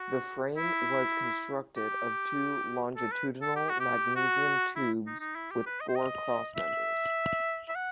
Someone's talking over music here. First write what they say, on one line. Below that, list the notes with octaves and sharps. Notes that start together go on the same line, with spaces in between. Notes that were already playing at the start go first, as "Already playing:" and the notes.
The frame was constructed of two longitudinal magnesium tubes with four crossmembers.
Already playing: F#4
E4
G4
A4
B4
A4
G4
F#4
G4
F#4
E4
D#4
D#4
E4
G4
B4
D#5
C5
D#5
E5
E5
F#5